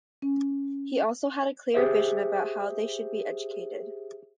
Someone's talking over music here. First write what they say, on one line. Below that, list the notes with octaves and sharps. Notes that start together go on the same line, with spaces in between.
He also had a clear vision about how they should be educated.
C#4
G4 G#4 C5 E5